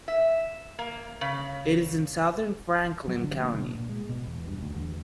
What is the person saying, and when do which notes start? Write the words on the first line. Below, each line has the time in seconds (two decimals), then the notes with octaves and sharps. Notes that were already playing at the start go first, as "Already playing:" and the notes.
It is in southern Franklin County.
0.08 E5
0.79 A#3
1.21 C#3
3.08 F#3
3.24 D3
3.40 A#3
3.54 B2
3.75 A#2
3.89 G#3
4.09 B2
4.27 E2
4.47 G2
4.62 D2
4.74 E2